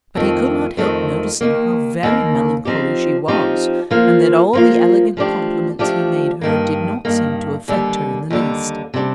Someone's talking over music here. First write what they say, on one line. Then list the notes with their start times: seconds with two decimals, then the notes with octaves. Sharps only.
But he could not help noticing how very melancholy she was, and that all the elegant compliments he made her did not seem to affect her in the least.
0.15 F2 D#3 A3 C4
0.77 F2 D#3 A3 C4
1.41 D#2 D#3 A#3
2.03 D#2 D#3 A#3
2.65 F3 C4 D#4 G4
3.28 F3 C4 D#4 G4
3.91 F3 A#3 F4
4.53 F3 A#3 F4
5.17 F3 A3 D4 G4
5.79 F3 A3 D4 G4
6.41 G2 D#3 A#3
7.05 G2 D#3 A#3
7.68 D#2 D3 G3
8.30 D#2 D3 G3
8.94 C3 G3 D4